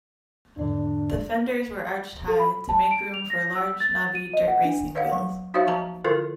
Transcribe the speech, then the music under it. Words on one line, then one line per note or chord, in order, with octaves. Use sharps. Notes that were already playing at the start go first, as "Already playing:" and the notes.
The fenders were arched high, to make room for large, knobby dirt-racing wheels.
E2 G#2 D3 D4
A4
B5
A5
D7
F7
A#6
E6
A6
D#7
D#5
F#5
D4
B4 C#5 D#5 F5 F#5
F#3
D#4 F#4 C5 C#5 E5 F5
F3 C5 D#5 A5 A#5
D3 E4 F4 A4 A#4 C5